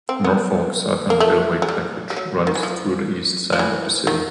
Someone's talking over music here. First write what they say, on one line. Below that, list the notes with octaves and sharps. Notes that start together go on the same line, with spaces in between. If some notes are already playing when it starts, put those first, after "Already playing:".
Norfolk Southern Railway trackage runs through the east side of the city.
C4
B3
A#3
A3
G#3
G3
G3
F#3
D#3
E3
F3
F3
E3
D#3